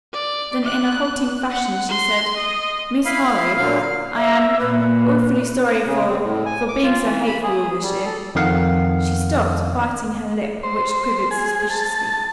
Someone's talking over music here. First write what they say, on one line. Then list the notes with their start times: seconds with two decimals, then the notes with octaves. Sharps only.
Then in a halting fashion she said: "Miss Harlowe, I--am--awfully sorry for--for being so hateful all this year." She stopped, biting her lip, which quivered suspiciously.
0.13 D5
0.65 F#6
1.50 F#5
1.89 C6
2.37 D#5
3.05 E4 F5 B5
3.57 A#2 D3 F#3 F5
4.16 E5
4.59 A#2 B4
5.86 C#3
6.09 C4
6.24 A2
6.46 G#5
6.68 D6
6.83 F4
7.04 E3
7.27 B5
7.43 G#4
7.82 G3
8.06 A4
8.35 F2 D#3 F5 F#5
10.63 C5
11.31 G#4
11.70 A5